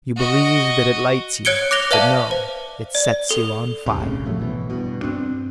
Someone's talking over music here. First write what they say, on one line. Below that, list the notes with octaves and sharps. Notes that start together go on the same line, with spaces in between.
You believe that it lights you; but no, it sets you on fire.
F#4 D#5
C#5 F#6 G#6 C#7 D7 G7
D6 F#6 A#6 F7 G7
B4 D5 E5 F5 A5
C5
D5
A4 G7
E2 G#2 C3
F1 A#1 A2 C#3
A2 F3 F#3 A3
G#1 B2 E3
G2 B2
G2 C4 D4